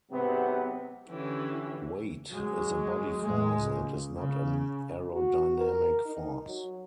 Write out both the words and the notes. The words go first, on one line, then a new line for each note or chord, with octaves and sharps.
Weight is a body force and is not an aerodynamic force.
G#2 C3 F#3 B3 C4
D3 E3 C#4 G4
F#3 G#3
A2 G#3
C#2
C#3
F#4
A#4
D#4
F#3